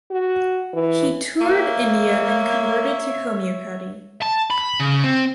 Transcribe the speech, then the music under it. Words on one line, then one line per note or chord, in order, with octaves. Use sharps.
He toured India and converted to homeopathy.
F#4
E3
A#3 C#5 E5
A5
B5
C#3
C4